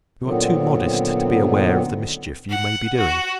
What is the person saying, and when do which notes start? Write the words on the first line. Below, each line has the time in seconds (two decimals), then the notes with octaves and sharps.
You are too modest to be aware of the mischief you may be doing.
0.23 A#2 D3 D#3 F#3 B3 C4
2.49 F#5
2.98 F#4